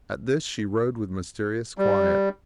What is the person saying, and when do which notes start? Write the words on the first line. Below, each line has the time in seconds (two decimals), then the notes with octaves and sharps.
At this she rode with mysterious quiet.
1.78 G3